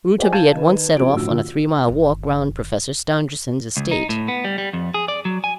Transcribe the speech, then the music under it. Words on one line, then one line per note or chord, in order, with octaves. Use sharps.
Rouletabille at once set off on a three mile walk round Professor Stangerson's estate.
G#4 C5 D5 D#5 G5 G#5
F5 A5 G6 G#6 D#7 E7
D#3 D#4 B4
F3 C4 C#4 G4 D7
G1 A2 F3 F#3 D4 E6
D3 F4
G1 D#3
C#2
D#4
A2
B3
G3
G3
F2
G#4
D5
F#3
G#5